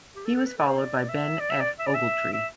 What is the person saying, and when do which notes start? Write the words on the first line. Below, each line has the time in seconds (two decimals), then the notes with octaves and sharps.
He was followed by Ben F. Ogletree.
0.16 G4
0.25 A4
0.36 A4
0.46 B4
0.57 A4
0.67 C5
0.78 D5
1.09 E5
1.40 D5
1.50 E5
1.60 D5
1.79 E5
1.86 D5
1.95 E5
2.33 E5